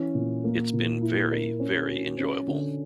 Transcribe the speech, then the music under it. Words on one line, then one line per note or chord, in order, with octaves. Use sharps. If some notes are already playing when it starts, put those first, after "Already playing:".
It's been very, very enjoyable.
Already playing: E3 C#4
A#2
A#3
A#2
E4
A#4
C#4
F#4
C#4
D3